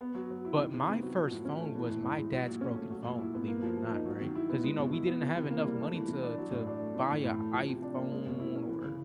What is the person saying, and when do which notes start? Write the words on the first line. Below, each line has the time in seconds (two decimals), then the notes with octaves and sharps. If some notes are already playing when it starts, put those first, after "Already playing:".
but my first phone was my dad's broken phone, believe it or not, right? 'Cause, you know, we didn't have enough money to to buy a iPhone or,
0.01 B3
0.15 F#3
0.30 F#3
0.45 E4
0.58 D#3
0.74 C3
0.88 B3
1.02 F#3
1.16 F3
1.31 A2
1.45 C#4
1.60 A3
1.75 E3
1.90 A2
2.03 A2
2.18 G#3
2.32 F#3
2.47 A#2
2.61 C#4
2.76 A3
2.91 F#3
3.05 A#2
3.19 E4
3.34 B3
3.48 A#3
3.62 F3
3.77 F3
3.92 D#4
4.06 F#3
4.21 D#3
4.35 E4
4.49 B3
4.63 G#3
4.78 B2
4.93 E4
5.07 B3
5.22 E3
5.36 C3
5.50 A#3
5.66 G3
5.80 A3
5.94 E3
6.08 E3
6.23 D4
6.38 F#3
6.51 A2
6.67 D4
6.80 A3
6.95 E3
7.10 A2
7.24 A2
7.39 A3
7.53 F3
7.68 C3
7.82 D4
7.96 A#3
8.11 G#3
8.26 B2
8.40 E4
8.55 C#4
8.69 E3
8.83 C#3